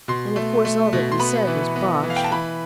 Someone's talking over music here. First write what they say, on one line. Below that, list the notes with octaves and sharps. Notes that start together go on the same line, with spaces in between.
And of course all that we said was bosh.
B2 C6
A3
A3
B2
C6
B3 B5
E3
B3
E3
F5
G5
A5
E3 B5